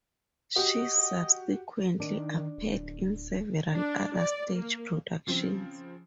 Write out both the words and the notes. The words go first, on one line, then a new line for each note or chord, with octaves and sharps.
She subsequently appeared in several other stage productions.
F#4 G4 D#5
D#3 D4
D1
D4
D5
A#3
C#3 F3 C4